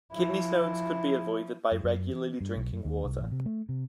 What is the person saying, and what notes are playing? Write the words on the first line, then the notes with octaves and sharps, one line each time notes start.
Kidney stones could be avoided by regularly drinking water.
F3 E4
F#2
F#2
E3
G2
B1
F#2
D#2
C2
A1
C3
A3
C3